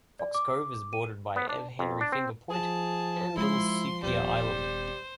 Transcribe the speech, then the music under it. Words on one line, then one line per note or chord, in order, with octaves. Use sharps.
Fox Cove is bordered by Ev Henry Finger point and Little Sucia island.
D5
D6
D#7
B3
D4
F2
D4
C4
F3 G#4 A5
G#3 E4 C6
D#1 G3 B3 C5